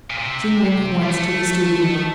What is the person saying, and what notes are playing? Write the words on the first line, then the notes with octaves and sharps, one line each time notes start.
She went at once to the studio.
A#2
C3
G3
A3